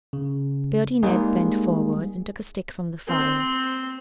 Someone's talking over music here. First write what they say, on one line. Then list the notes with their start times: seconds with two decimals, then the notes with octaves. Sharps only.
Beardy Ned bent forward and took a stick from the fire.
0.13 C#3
1.03 G3 G#3 A#3 D#4 G#4
3.09 C4